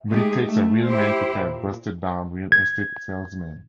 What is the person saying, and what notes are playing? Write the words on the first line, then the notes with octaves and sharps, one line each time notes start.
But it takes a real man to play a busted-down real estate salesman.
G#3 A3 D#4 G4 G#4
A3
E4 G4 C5
A#2
G#6